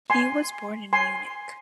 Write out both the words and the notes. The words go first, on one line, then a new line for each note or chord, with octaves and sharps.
He was born in Munich.
G#5 C6
G#5 C6